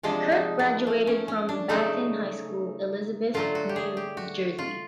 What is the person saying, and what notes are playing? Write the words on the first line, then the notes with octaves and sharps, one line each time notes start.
Kirk graduated from Battin High School, Elizabeth, New Jersey.
C3 F3 G#3 D4
D#4
A#3
A3
C#4
C#4
D4
C#3 F#3 A3 D#4
D3 F#3 A3 F4
F#4
G4
G#4
G4
F#4
F4